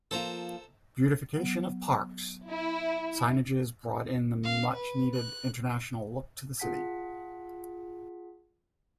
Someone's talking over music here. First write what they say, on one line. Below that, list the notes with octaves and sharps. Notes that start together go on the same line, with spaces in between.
Beautification of parks, signages brought in the much needed international look to the city.
F3 A#3 F4 A4 C5 A#5
F#3 B3
E4
F5
B4
F#6
F4 G#4 F#5 A5 B6